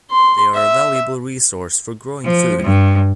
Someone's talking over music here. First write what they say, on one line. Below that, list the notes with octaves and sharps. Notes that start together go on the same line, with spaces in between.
They are a valuable resource for growing food.
C6
E5
F3
G2